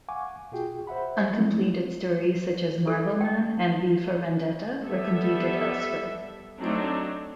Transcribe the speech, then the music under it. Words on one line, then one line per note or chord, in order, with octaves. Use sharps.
Uncompleted stories such as "Marvelman" and "V for Vendetta" were completed elsewhere.
F5 F#5 G#5 C#6 D6
B2 F4 F#4 G#4 G5
C5 E5 F#5 B5
F3 F#3 A3 A#3 C4 E4
F4
A4
G5
G3 B3 A4 E5
F#3 A3 C4 D4 D#4